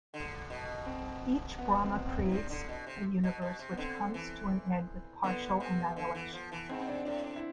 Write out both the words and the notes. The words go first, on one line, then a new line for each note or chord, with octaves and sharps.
Each Brahma creates a universe which comes to an end with partial annihilation.
D3
B2
C4
B3
C4
C4
E4
C3 D4
D3
B2
C3
B2
B2
C3
B3
D3 C4
E3
D3 B3
C3
D3
E3
F3
E3
G#2 C4
C4
D4
A2 D4
D4
E4